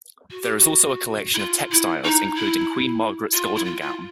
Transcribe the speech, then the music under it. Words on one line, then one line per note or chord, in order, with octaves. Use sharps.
There is also a collection of textiles including Queen Margaret's golden gown.
F#4
G4
F#4
E4
F4
E4
D#4
E4
F4
E4
F4
F4